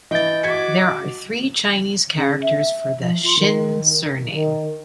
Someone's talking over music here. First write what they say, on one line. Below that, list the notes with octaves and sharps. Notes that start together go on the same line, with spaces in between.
There are three Chinese characters for the Shin surname.
E3 D#5 G5 A6
F#4 D6 G#6 B6 C#7
C#3
E5
F3
F4
D#3
D#3